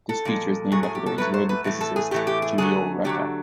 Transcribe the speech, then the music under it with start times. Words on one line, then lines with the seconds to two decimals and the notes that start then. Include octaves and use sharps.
This feature is named after the Israeli physicist Giulio Racah.
0.09 A4
0.25 A#2 F3 G#3
0.72 A2 F#3 A3 G#4
0.83 G#4
0.95 G4
1.06 A4
1.18 A2 F#3 A3 B4
1.34 C5
1.49 B4
1.64 A2 E3 A3
1.81 A4
1.96 G#4
2.11 A2 E3 A3 G4
2.27 G4
2.42 G#4
2.58 D3 F#3 A3 G#4
3.04 D3 F#3 A3 G4